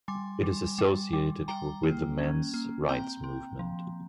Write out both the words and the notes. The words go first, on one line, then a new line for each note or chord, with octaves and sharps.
It is associated with the men's rights movement.
G3 G#5 C6
G3
G3
G3
G3 G5 A#5
A#3
C#4
A#3
C4 G5 A#5
C4
F3